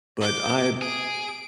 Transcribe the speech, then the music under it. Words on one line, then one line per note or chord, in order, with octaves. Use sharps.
But I
D6 G6
G#4 D7